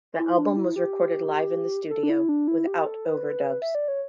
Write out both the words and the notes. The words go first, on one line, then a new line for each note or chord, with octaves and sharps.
The album was recorded live in the studio, without overdubs.
E4
D4
E4
G4
A4
D4
E4
D4
E4
G4
A4
B4
E5
D5
C#5